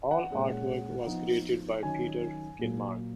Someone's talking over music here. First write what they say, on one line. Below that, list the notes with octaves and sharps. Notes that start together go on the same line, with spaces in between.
All artwork was created by Peter Kinmark.
F#5
A#2 G#3 C#4
F3 B3 D#4
D#3 F#3 C#4 G#5
A#2 F#3 A#3